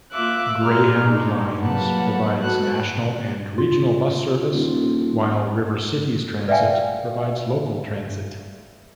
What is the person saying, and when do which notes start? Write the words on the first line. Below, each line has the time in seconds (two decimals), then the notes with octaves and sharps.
Greyhound Lines provides national and regional bus service, while RiverCities Transit provides local transit.
0.13 A#3 F4 E5 D6 F#6
0.62 B2 G#3 A#5 F6
1.04 G#3 D4 D#4
1.58 F#3 G3 A#3 B4 F#5 A5
2.40 B3 F#4 A4 F#6
3.58 F4
4.53 D#1
6.48 B4 D5 E5 F5 G5 G#5